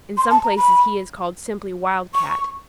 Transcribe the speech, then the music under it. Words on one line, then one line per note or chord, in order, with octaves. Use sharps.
In some places he is called simply Wild Cat.
C6
A5
A#5
B5
C#6